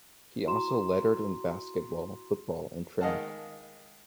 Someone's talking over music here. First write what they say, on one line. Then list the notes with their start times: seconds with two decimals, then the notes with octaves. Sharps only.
He also lettered in basketball, football and track.
0.46 E4 F#4 A#5 C6 E7
3.01 D#3 G#3 D#5 F5 F#5 A5